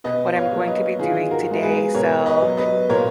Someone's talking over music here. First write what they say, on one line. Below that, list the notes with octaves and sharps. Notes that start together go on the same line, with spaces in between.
what I'm going to be doing today, so,
B2 B4 D#5
C#5 F5
F#3 A#3
B4 D#5
D#3 F4 G#4
F#4 A#4
G#3 B3
G#4 B4
B2 A#4 C#5
B4 D#5
F#3 B3
B4 D#5
A#2 A#4 C#5